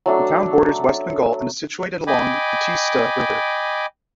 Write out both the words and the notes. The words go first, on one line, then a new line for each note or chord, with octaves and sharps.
The town borders West Bengal and is situated along the Teesta river.
F#3 A3 D4
D#5 G5 G#5 B5 D6